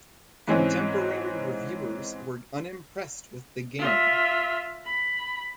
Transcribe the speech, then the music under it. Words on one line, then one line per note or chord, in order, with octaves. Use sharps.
Contemporary reviewers were unimpressed with the game.
G#2 E3 G#3 C4 C#4
F4 E5
B5